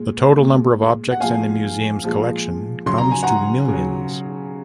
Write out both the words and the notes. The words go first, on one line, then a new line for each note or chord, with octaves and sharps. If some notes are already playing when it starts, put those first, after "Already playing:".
The total number of objects in the museum's collection comes to millions.
Already playing: A#2 G#3
A#2 G#3
F#5
A#2 F3 G#3 F5 G#5
A#2 F3 G#3
C#3 F#3 C6
A#5
G#5
F#5 A#5
C#3 F#3